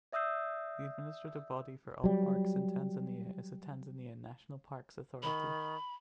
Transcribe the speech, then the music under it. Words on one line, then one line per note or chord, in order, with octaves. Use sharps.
The administrative body for all parks in Tanzania is the Tanzania National Parks Authority.
D5 E5 D#6 E6 G6 C7
F#3 G3
D#3 B5